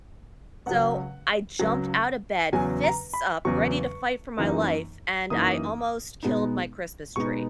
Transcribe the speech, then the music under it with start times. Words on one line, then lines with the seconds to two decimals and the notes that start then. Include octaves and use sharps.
so I jumped out of bed, fists up, ready to fight for my life, and I almost killed my Christmas tree.
0.66 C#2 C#3 F#3 F#5
1.59 C#2 C#3 F#3
2.52 E2 C#3 F#3 G#5
2.84 A#5
3.13 B5
3.45 E2 C#3 F#3 C#6
4.38 F#2 E3 A#3 D#4
5.30 F#2 E3 A#3 D#4 D#6
6.23 B2 G#3 B3 D#4
7.16 B2 G#3 B3 D#4 C#6